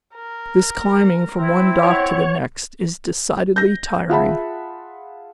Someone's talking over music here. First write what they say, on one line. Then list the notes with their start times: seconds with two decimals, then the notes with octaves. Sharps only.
"This climbing from one dock to the next is decidedly tiring."
0.16 A#4
1.38 C4 E4
1.83 C#5 F#5
3.56 G6 A#6
4.09 F4 G#4 E5 F#5 A5 B5